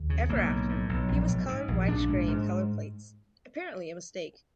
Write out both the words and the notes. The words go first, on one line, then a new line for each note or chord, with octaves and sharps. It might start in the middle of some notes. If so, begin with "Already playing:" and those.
Ever after, he was colored whitish-grey in color plates, apparently a mistake.
Already playing: D#2
C#3
B1 A#3
A2
A2
B1
A#1
G#2
G#2
A#1
A#1 D4
G#2
G#2